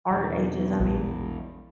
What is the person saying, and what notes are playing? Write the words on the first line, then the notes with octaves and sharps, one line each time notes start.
our ages, I mean.
E2 B2
A#1